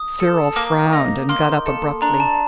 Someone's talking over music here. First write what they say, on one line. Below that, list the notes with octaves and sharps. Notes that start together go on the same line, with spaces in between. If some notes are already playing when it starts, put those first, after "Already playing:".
Cyril frowned, and got up abruptly.
Already playing: D#6
A4
A#3 D6
D#4
A#3 C6
A4
D4 A#5
A5